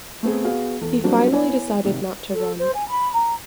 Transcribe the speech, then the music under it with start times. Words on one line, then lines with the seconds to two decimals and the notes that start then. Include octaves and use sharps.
He finally decided not to run.
0.23 A3 B3 C4 G#4
0.44 B3 F#4 G#4 F5
0.81 E2 A4
1.03 F#3 G3 A#3 C4 D4
1.31 B3 E4 C#5 G#5
1.85 G#1 C3
2.34 A4
2.59 C5
2.74 G#5
2.88 B5
3.13 A#5